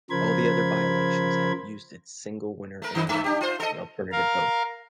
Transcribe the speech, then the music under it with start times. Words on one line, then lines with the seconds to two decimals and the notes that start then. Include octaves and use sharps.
All the other by-elections have used its single-winner analogue, the alternative vote.
0.10 C#3 F3 A#4 C5 B5 G#6
2.82 A3 A#4
2.95 D#3 A#3 D#4
3.09 G2 A3 E5
3.24 D4 G4
3.41 F4 C5
3.60 A4 D#5
4.12 A#4 F5